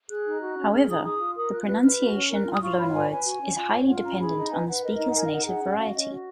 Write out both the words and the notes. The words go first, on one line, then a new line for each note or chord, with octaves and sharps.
However, the pronunciation of loanwords is highly dependent on the speaker's native variety.
G#4 F#6
D#4
F#4
C#4
G#4 F6
D#4 D#6
G#4 D#6
F4
A#4 D#6
F4 F#6
B4 F#6
B4 F6
F#4
C#4
A#4 F#6
F4 F6
D#6
F4 C#6
C#5 B5
F#5
B4 G#5
B4 G#5
F#4
C#4
F4
C#5
F4 F#5
C#4 A#5
G#4 B5
D#4
A#5
B4 G#5
B4 F#5
A#4 D#5
D#5
D#4
C#5
F#5
A#4 G#5
F5
D#4 F#5
G#4 F#5
C#4
F#4 F5
C#4 D#5
F#4